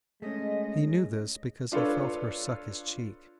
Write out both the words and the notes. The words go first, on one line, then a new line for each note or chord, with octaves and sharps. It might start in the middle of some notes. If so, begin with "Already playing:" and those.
He knew this because he felt her suck his cheek.
G#3 A3 C#4 D#5
D4 F4 A4 B4 C#5